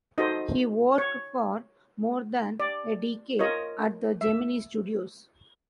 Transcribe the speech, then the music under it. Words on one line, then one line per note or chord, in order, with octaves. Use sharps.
He worked for more than a decade at the Gemini Studios.
D#4 F#4 A4 C5 D#5
C#5
D5
F4 A#4 C#5 D#5
E5